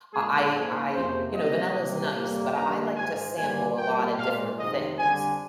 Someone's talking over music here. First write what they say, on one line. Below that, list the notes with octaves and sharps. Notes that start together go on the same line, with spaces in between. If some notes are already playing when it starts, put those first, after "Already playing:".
I I I you know, vanilla is nice, but I I like to sample a lotta different things,
A#2 G#3 G#4
G#2 F3 A#3 G#4
F2 C3 F3 A#3 C5
C3 G3 A#3 D#5
C3 G3 A#3
F2 C3 G3 A#3
G2 D#3 G3 A#3 A#5
G#2 F3 G#3 G#5
G2 D3 G3 A#3 G#5
A#2 G3 A#3 G5
A#2 G#3 F5
F2 C3 D#3 G#3 D#5
F2 D3 G3 G#5